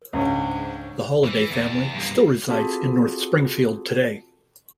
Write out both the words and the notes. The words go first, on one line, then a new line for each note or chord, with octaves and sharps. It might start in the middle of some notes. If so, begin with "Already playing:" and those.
The Holliday family still resides in North Springfield today.
C#2 G#2 C#3 C#4 D4
E3
E2
G2 A#3
C4 F4 F#4 G#4 A4 A5